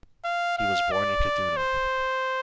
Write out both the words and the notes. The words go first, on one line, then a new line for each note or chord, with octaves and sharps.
He was born in Kaduna.
F5
F5
D5
C5